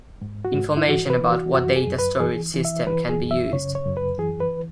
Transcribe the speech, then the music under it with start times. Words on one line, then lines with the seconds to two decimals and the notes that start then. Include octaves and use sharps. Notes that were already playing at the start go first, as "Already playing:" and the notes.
Information about what data storage system can be used.
0.22 G#2
0.45 F#4
0.54 G#2
0.77 E4
0.88 E3 F#4
1.10 B4
1.22 E3
1.32 F#4
1.54 F#2 F#4
1.76 G#4
1.87 F#2
1.99 B4
2.20 E3 G#4
2.54 E3
2.65 E5
2.87 E3 B4
3.09 G#4
3.20 F#2
3.31 E5
3.53 C#3 C#5
3.75 C#5
3.86 F#2
3.97 B4
4.18 E3 G#4
4.40 B4